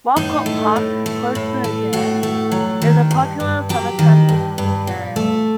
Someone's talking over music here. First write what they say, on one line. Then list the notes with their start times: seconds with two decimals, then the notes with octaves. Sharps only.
Walcott Park, close to the dam, is a popular summertime picnic area.
0.16 A2 D#4
0.46 A3
0.76 A2
1.06 A3
1.35 A2
1.64 A3
1.93 A2 F#4
2.23 A3
2.52 F#3
2.82 D#3
3.11 G2
3.40 G2
3.69 F#3 G4
3.99 D#3
4.29 G2
4.58 G2
4.87 A#2
5.16 A3